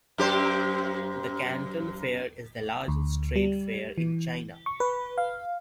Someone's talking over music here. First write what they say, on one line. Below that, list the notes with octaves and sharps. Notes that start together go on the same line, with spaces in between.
The Canton Fair is the largest trade fair in China.
F#2 G4 C5
D2
G3
E3
C#6
B4
F5